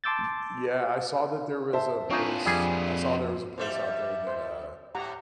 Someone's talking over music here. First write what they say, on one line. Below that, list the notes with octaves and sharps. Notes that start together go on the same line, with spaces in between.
Y Yeah, I saw that there was a place I saw there was a place out there that, uh
A5 C6 D6 E6 G6 A6
C5 E5 A5
C4 D4 D#4 F4 B4 C#5 G#5
F2 G3 G#4
F2 G3 C5 E5
C5
A2 G4 F#5 A#5